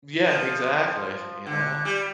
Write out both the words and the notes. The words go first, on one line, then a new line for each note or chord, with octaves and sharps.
Yeah, exactly, you know?
F3
D3
G3